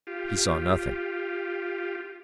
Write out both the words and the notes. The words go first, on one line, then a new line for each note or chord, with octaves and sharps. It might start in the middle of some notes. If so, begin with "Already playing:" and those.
He saw nothing.
F4 G4